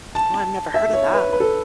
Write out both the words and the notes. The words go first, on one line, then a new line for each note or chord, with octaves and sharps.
Oh, I've never heard of that.
A5
E5
C#5
B4
B4
A4